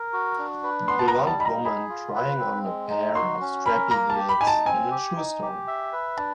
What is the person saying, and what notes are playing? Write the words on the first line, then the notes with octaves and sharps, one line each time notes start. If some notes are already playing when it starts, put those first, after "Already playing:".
Blond woman trying on a pair of strappy heels in a shoe store.
Already playing: A#4
F#4
D4
B4
B3 C6
A5
A#5
G3
A5
D#4 B5
A#5
G#4 B5
F4
B4
C4
G#3
D#4
F#4 C6
C#4
A#4 B5
A#3 A#5
A5
G4
B5
D#4 G#5
A5
C4 G#5
G4
D#4
G4
E5
B4
D4 A5